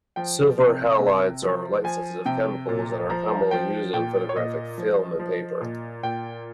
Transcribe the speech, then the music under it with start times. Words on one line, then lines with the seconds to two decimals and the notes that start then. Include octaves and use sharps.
Silver halides are light-sensitive chemicals, and are commonly used in photographic film and paper.
0.16 F3 G5
0.59 C3
1.00 C3
1.42 F3
1.84 F3 G#5
2.25 C3 G5
2.69 A#2
3.10 F3 A#5
3.51 F3 G5
3.93 A#2 G5
4.29 C#5
4.36 A#2 D#5
4.78 F3
5.19 F3
5.61 A#2
6.03 A#2 G5